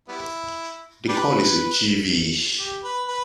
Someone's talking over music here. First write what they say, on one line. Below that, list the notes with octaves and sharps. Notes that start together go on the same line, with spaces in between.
The call is a "chee-veee".
G3 B3 E4
D4 G4 B4
G4
B4
B4